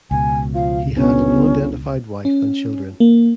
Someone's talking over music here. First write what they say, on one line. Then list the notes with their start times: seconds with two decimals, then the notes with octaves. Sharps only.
He had an unidentified wife and children.
0.11 C#2 B2 G#5
0.55 F3 F5
0.97 G1 B3 C#4
2.25 C#4
3.00 A#3